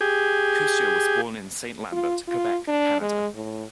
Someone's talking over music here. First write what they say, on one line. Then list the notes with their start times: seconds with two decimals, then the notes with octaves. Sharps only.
Cousture was born in Saint-Lambert, Quebec, Canada.
0.01 G4 G#4
1.92 F4
2.28 F4
2.68 D4
3.01 G#3
3.34 A2